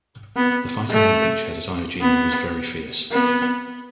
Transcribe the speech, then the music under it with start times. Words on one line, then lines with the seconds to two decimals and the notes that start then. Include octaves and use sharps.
The fighting on the beachhead at Iwo Jima was very fierce.
0.36 B3
0.91 A3
2.01 B3
3.12 B3